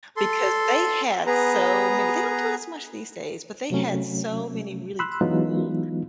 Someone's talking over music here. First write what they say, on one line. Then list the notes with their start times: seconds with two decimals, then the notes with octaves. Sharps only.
because they had so many they don't do it as much these days, but they had so many really cool,
0.17 A4 C6
1.26 B3 G#4 B4 A#5
3.70 C3 F#3 A3 C#4
4.99 B5 C6 E6 F#6
5.21 E3 F#3 G#3 B3 D#4 F4